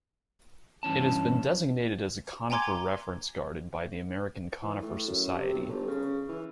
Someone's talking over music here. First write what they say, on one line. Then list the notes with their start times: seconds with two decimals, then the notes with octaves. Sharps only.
It has been designated as a Conifer Reference Garden by the American Conifer Society.
0.83 G2 E3 C#4 A5
2.50 G5 G#5 A#5 C6 D6 G#6
4.63 E3
4.82 A2
5.07 F#2
5.36 C3
5.55 B1
5.69 G1
5.88 C#3
6.29 E3